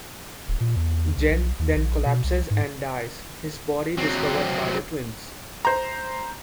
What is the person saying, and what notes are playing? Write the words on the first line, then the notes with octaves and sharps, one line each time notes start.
Gen then collapses and dies, his body discovered by the twins.
D1
A#2
E2
C2
B1
D#2
A#1
B2
C2
G#2
F#3 C4
C5 A#5